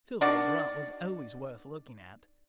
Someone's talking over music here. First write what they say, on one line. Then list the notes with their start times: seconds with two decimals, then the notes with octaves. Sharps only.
Sylvia Grant was always worth looking at.
0.21 D#3 D4 F#4 D5